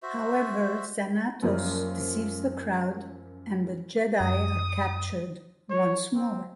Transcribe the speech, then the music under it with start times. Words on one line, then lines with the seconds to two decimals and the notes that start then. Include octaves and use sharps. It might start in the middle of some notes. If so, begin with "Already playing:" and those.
However, Xanatos deceives the crowd and the Jedi are captured once more.
0.03 F#4 C5 E5
1.43 F#2 F3 G3 A#3
4.20 F#2 D#6
5.70 C#5
6.15 C4